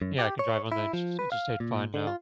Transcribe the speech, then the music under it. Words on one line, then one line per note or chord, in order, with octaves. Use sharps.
Yeah, I can drive on the insters interstate fine now.
F#2
G4
C#5
E4
F3
B4
F5
A#2
D3
F4